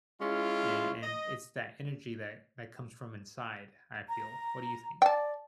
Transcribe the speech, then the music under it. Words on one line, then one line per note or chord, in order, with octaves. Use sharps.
A and it's that energy that that comes from inside, I feel. What do you think?
G#3 C#4 E4 F4
D#5
A#5
D5 G5 A5